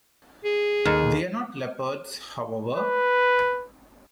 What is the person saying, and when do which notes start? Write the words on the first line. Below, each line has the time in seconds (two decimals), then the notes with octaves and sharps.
They are not leopards, however.
0.44 G#4
0.85 D#2
2.76 B4